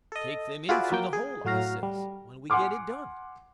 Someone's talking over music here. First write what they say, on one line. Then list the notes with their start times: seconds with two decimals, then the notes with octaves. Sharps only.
"Take them in through the hole," I says, "when we get it done."
0.12 A4 D#5
0.69 F4 F#4 G#4 B4 D5 E5
0.92 F#3 A#3 G5
1.13 G#4
1.45 A2 F#3 F#4 F5 A#5
1.83 G3
2.50 F#5 G#5 C6 D6 F6